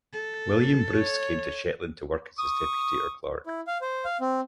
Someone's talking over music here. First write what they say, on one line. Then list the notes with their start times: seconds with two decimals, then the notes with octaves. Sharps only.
William Bruce came to Shetland to work as his deputy or clerk.
0.13 A4
0.92 C#5
2.39 C#6 D#6
3.46 E4
3.67 F5
3.81 C5
4.05 F5
4.21 C4